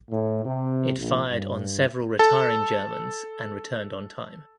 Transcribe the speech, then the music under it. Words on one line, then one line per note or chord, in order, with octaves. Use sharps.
It fired on several retiring Germans and returned on time.
A2
C3
A#1
G2
A4 A5